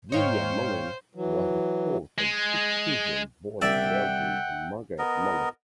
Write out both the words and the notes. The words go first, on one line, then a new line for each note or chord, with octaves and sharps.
William Mullen was the fourth of six children born Melvin and Margaret Mullen.
G#2 D#4 C5 C#5 F5 G5
E3 F#3
G#3
C2 D5 E5 F#5 G5 A5
B3 A#4 D#5